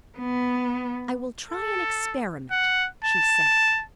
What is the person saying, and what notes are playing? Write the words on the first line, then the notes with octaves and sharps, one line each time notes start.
"I will try an experiment," she said.
B3
A4
F#5
A5